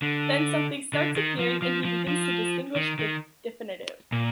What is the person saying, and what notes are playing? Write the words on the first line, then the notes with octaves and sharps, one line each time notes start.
Then something starts appearing and he begins to distinguish the definitive.
D3
D3
D#3
F3
F3
F3
F3
D#3
D#3
A#2